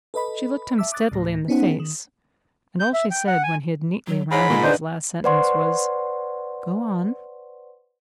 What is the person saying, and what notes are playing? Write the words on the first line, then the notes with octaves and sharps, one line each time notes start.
She looked him steadily in the face; and all she said, when he had neatly rounded his last sentence, was--"Go on."
A4 B4 D#5 B5
E5 A5 D6 E6 B6
D6 D#6 F#6 A6
D2 A2 A#6
B3 C#4 D#4 G#4 C5 F#5
D#3
G6
E5
G5
F#5
G#5
F#3
G#2 C#5 B5
A#2 G#3
D4 D#4 B4 C5 D5
B4 C5 D5 F#5 C6 C#6